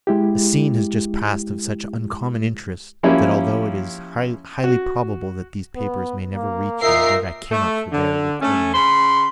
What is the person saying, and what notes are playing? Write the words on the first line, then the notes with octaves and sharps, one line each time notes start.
A scene has just passed of such uncommon interest that, although it is highly probable that these papers may never reach you, yet I cannot forbear recording it.
G#3 E4 G4
F3 A#3 C#4 E4 G4
F#4
B3
A#3
A#2 D#4 A#4 D#5 E5 C7
A3
D3
A3 C#4
C#3 B5 C6